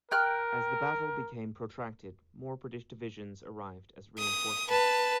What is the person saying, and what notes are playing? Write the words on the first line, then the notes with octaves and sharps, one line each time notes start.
As the battle became protracted, more British divisions arrived as reinforcements.
A#4 G5 F6 F#6
D#6
B4 A5